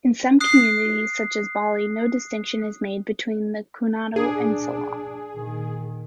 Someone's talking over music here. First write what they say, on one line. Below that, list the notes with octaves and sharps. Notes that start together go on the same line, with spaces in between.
In some communities such as Bali, no distinction is made between kuntao and silat.
D#6 F#6 C7
D4 G#4
A#2 D#3